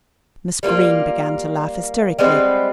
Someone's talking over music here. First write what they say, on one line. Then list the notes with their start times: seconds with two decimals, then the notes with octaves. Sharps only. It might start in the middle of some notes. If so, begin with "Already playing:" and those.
Miss Greene began to laugh hysterically.
0.63 G3 A#3 D#4 F4
2.19 G3 G#3 B3 C4